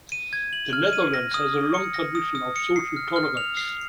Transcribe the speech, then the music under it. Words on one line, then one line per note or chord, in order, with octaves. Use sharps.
The Netherlands has a long tradition of social tolerance.
D#7
G#6
F#7
F6
D#7
A#6
D#6
D#6
C#7
A#6
D#6
D#6
C#7
C7
F6
F6
F7
C7